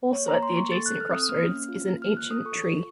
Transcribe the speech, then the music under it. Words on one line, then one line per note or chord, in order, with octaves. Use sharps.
Also at the adjacent crossroads is an ancient tree.
A#3 C#5
A#3 A#5
C6
A#3
C#6
A4 A6
A4 F#6
F6
C4 D#6
A#3 F6
C#4
F4
A#3
A#3 F6
F#6
F4 D#6
A4 C#6
F4